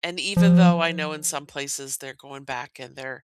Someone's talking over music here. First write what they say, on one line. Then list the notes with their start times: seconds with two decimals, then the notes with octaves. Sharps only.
and even though I know in some places they're going back and they're
0.37 F3